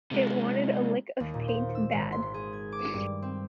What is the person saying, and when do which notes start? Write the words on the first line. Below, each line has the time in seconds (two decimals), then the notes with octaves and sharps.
It wanted a lick of paint bad.
0.11 C3 G#3
1.20 D#2
1.34 A#2
1.48 C5
1.75 E6
1.92 G#1
2.12 C6
2.34 G#4
2.53 G#6
2.72 D6
2.94 G2
3.22 C4